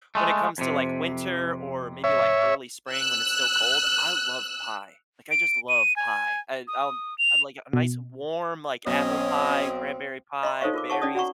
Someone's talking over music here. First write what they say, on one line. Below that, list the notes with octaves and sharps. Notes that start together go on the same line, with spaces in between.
when it comes to, like, winter or maybe, like, early spring when it's still cold, I love pie. Like, I just love pie. I I'll I'd like a nice warm, like, apple pie, cranberry pie, berries.
G#3 A3
F2 C3
C#5 E5
E6 F#6
D7
D#7
G#5
D#6
F7
B2
B1 C4 C#4 C#5 D#5
D#5 B5 C6
D#4 A4 C5 C#5 F5 C#6
F4 A#4 D6
C#5 F#5 A5 C#6
C#4 D5 A5 D#6
F#4 D5 F#5 A#5 C#6